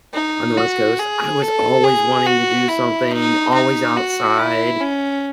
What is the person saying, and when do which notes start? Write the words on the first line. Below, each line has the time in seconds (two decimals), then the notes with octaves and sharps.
on the West Coast, I was always wanting to do something, always outside,
0.14 D#4
0.57 F#4
0.99 G#4
1.42 A4
1.84 G#4
2.26 F#4
2.68 E4
3.11 D#4
3.54 D#4
3.96 F#4
4.38 E4
4.80 C#4